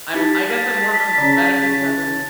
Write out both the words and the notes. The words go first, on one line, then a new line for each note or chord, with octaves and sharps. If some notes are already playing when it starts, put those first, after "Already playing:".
I'm I guess I'm more of a medically centered
D#4 G4 A5 B6
C#3 D5 A#5